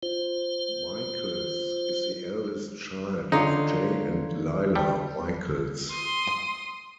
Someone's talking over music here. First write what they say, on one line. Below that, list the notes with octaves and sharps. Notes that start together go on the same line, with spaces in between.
Michaels is the eldest child of Jay and Lila Michaels.
F4 C5
D3 C#4 D#4 F4 A#5 C6 D6
G3 A5
C6 D#6